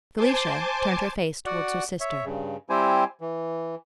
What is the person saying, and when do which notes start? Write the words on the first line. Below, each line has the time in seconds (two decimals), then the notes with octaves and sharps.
Felicia turned her face towards her sister.
0.16 C5 G#5 A5 C6 D6
1.46 F#4 D5 F#5
2.00 C#5 E5
2.25 G2 C#3
2.69 G3 C4 E4 G4 C5 G#5
3.21 E3